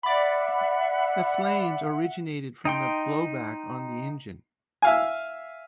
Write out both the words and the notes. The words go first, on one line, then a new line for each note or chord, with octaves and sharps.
The flames originated from the blowback on the engine.
D5 E5 F#5 B5
D#4 G5 C6
E5 F5 G#5